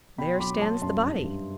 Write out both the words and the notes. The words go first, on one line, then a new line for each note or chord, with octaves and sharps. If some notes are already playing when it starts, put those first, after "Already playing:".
There stands the body!
B2 G5 B5
C6
F#3 B5 D6
F#3 A5 C6
F#2 A5 C6
G2
G2